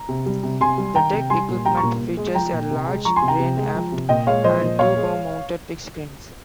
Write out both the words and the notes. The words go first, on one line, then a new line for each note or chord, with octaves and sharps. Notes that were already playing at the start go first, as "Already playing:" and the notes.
The deck equipment features a large crane aft and two bow-mounted fixed cranes.
Already playing: A#5
C3
G3
C3
C3 G#5 C6
G3
D#3 G5 A#5
C3
G3 G#5 C6
A#2
G3 G5 A#5
A#5 C#6
A#2
A#2
G#3
F3 G5 A#5
A#2
C3
G#3
F3 A#5 C#6
G#5 C6
C3
G5 A#5
C3
G#3
F3
C3
A#2 D#5 G5
G#3 C#5 F5
F3 C5 D#5
A#2
A#2 C#5 F5
G#3